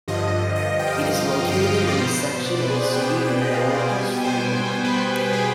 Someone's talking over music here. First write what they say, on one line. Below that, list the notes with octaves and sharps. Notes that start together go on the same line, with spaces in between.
It is located in the section of the city known as Franklinton.
G2 D3 F3 D#5
D#5
G5
F5
G5
G5
F5
D#5
D5
B2 B3 C5
D5
B4
G#4
C5
G5
G5
G5
D#5
F5
D#5
D5
B2 G3 B3 G#5
G5
G5
C5
B4
G#4